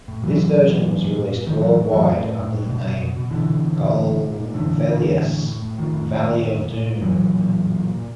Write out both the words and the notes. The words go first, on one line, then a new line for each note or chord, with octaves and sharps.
This version was released worldwide under the name "Golvellius: Valley of Doom".
A2
A#2 E3 F#3
A#2
A#2
A#2
A#2
A#2
A#2
A#2
A2 D#3 F3
A2 E3 F#3
A2
A2 E3 F#3
A2
A2
A2
A2
B2
B2
B2
B2
B2 D3 E3
B2
B2
B2
A#2
A#2
A#2
A#2
A#2 D3 E3
A#2
A#2
A#2
A2
A2
A2
A2
A2 D#3 F3
A2
A2
A2
A#2
A#2
A#2
A#2
A#2 E3 F#3
A#2
A#2
A#2
A#2
A#2
A#2